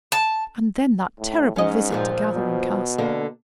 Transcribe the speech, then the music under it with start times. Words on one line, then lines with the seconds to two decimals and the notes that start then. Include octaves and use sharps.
And then that terrible visit to Gatherum Castle!
0.12 A5
1.20 A2
1.56 G#2 C#4 D#5
1.90 G2 A#2 F3
2.36 B2
2.98 D3 A#3 D4